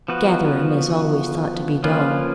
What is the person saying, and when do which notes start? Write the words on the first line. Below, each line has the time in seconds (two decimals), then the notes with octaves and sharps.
"Gatherum is always thought to be dull."
0.08 F3 B3 F#4 B4
1.84 F3 A#3 C#4 F4 B4